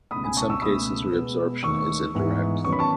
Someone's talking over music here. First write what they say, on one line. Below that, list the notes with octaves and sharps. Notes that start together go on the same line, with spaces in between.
In some cases, reabsorption is indirect.
C#2 B2 A3 B5 D#6
G#5 B5
A5 C#6
C#6 E6
C#2 B2 A3 B5 D#6
B2 G#3 B3
D#2 D#3 A3 C#6 E6
G#2 E3 G#3 B3
F#2 D#3 F#3 B3 C#6
B5
A5 C#6